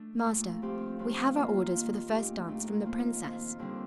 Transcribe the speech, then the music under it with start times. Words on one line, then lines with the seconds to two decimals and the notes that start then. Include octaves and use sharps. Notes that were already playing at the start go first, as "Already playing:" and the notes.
"Master, we have our orders for the first dance from the princess."
Already playing: A3 D4
0.25 A#2 A3 D4
0.62 G2 F3 C4 G4
0.99 G2 F3 C4 G4
1.37 D#3 A#3 F4
1.73 D#3 A#3 F4
2.11 A#2 A3 D#4 G4
2.47 A#2 A3 D#4 G4
2.85 F2 D#3 A#3 F4
3.22 F2 D#3 A#3 F4
3.59 D#2 D3 G3 C4